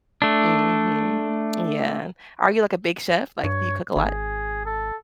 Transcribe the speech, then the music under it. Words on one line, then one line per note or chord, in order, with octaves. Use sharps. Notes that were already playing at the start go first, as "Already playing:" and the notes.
Mhm, yeah. Are you, like, a big chef? Like, do you cook a lot?
A3 D4
G2 C#5
G#1 G#4
A4